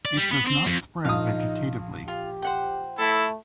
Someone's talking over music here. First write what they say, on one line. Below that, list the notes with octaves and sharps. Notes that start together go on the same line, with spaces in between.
It does not spread vegetatively.
D5
G3
B3
C4
F2
A#1 D#4 F5 D#6
F4 G4
C5 F#5 G5
A3 E4 A4